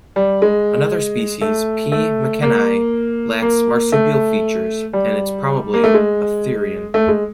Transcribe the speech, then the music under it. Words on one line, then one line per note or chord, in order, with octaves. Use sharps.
Another species, "P." "mckennai" lacks marsupial features, and is probably a therian.
G3
G#3
A3
A3
A#3
A#3
A3
G3
A#3
A3
G#3
A3
G#3